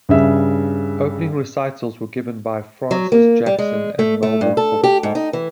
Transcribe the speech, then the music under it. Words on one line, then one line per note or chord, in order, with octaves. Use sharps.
Opening recitals were given by Francis Jackson and Melville Cook.
G2 C#3 E5
F#3
A#3
G3
G#3
A3
A3
G2
A4
G4
G#2
D#4
E3